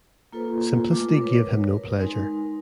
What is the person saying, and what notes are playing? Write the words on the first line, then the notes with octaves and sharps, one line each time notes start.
Simplicity gave him no pleasure.
A#3 F4 A4 B4 C5
G#3 A3 F4 D6
A#4 B4 C#5
A#4
G#3 D#4 A#4 G#5 C6